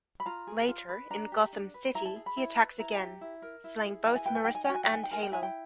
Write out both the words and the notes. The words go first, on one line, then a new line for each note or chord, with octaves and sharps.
Later, in Gotham City, he attacks again, slaying both Marissa and Halo.
B5
F4 A#5
G#4
F4
B4
D4 A#5
G4
D4
B4
E4 A#5
A5
G#4
B5
E4
B4
E4 A#5
G4
E4
A#4
E4
G#4
E4 G5
G#5
B4 G5
G#5
D#4 G5
G#5
F#4 G5
G#5
G5
D#4 G#5
G5
A#4 G#5
G5
E4 G#5
G5